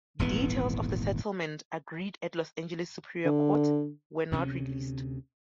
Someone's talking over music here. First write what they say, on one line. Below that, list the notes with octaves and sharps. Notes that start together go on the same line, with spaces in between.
Details of the settlement, agreed at Los Angeles Superior Court, were not released.
D#1 G#1 E3 B3
D3
D2 C3 C#4